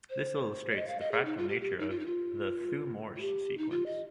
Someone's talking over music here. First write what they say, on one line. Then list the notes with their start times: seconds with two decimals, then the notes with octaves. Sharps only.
This illustrates the fractal nature of the Thue-Morse Sequence.
0.10 C5
0.70 C#5
0.76 D#5
0.87 F5
1.00 D#5
1.12 G#4
1.25 D#4
1.37 F4
1.49 G4
1.61 G4
1.79 D#4
1.90 F4
1.99 D#4
2.06 F4
3.16 F4
3.21 G4
3.58 D#4
3.70 F4
3.86 D#5